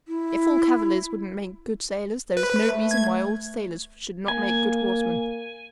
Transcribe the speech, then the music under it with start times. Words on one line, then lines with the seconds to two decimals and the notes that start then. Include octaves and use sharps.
If all cavaliers wouldn't make good sailors, there is no reason why all sailors should not make good horsemen.
0.08 E4
2.37 B4
2.66 A3
2.91 G#6
4.28 A#3 G#5